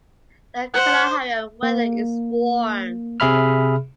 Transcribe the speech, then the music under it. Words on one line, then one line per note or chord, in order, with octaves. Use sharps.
The Kalaharian weather is warm.
C5 F#5
A#3
C3 G#4 E5 B5 F6